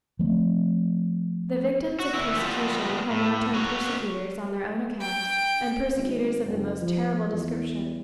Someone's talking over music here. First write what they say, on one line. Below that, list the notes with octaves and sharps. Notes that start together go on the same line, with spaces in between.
The victims of persecution had now turned persecutors on their own account, and persecutors of the most terrible description.
F3 A3 A#3 C4
F#4
D3 E4
F3 G3 A3 B3 F4 F#4
A2
A#3 F#4 C#5
G5
G#1
F#1
F3
E2